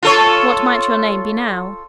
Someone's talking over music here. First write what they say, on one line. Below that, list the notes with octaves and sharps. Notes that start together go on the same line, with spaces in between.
"What might your name be, now?"
F4 A4 C#5